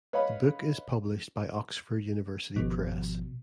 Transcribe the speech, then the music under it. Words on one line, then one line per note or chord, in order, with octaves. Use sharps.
The book is published by Oxford University Press.
B4 C#5 D#5 F5 B5
G#1 B2 F3